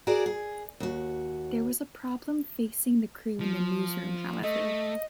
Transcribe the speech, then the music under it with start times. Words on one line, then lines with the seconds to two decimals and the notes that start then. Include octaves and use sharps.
There was a problem facing the crew in the newsroom, however.
0.07 F#4 G#4 A#4 D5
0.26 G#4
0.80 D#2 F#4
3.40 F3
4.43 A3 D#5